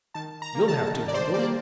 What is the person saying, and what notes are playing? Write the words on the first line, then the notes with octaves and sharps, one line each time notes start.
You'll have to, Ruggles.
D#3 A5
A#5
G3 A#3
A5
D#3
D5
C5
G3 A#3 D5